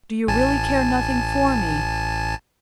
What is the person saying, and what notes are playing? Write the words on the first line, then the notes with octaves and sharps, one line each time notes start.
Do you really care nothing for me?
A1 G#5 A5